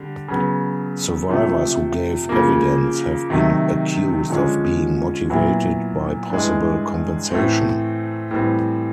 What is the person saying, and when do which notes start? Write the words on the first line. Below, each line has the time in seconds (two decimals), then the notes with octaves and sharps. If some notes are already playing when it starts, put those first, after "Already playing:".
Survivors who gave evidence have been accused of being motivated by possible compensation.
Already playing: D3 G3
0.28 C#3 F#3 B3
1.29 C3 F3 A3
2.29 C#3 F3 A#3
3.30 C3 D#3 F#3 A3
4.30 D3 F3 G#3 C#4
5.30 A#2 F#3 B3 E4
6.30 G2 E3 G#3
7.30 A2 E3 A3 C4
8.31 A2 E3 G3 C4